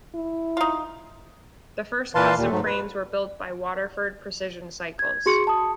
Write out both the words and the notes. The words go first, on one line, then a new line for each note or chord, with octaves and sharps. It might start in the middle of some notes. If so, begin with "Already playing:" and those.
The first custom frames were built by Waterford Precision Cycles.
E4
D#4 F4
A#2 E3 B4 F5 A5 C6
D#2 A#2
G#2 F#3 A3
B4
G#6
F#4 G#4 C6 C#6 C#7
A5 D#6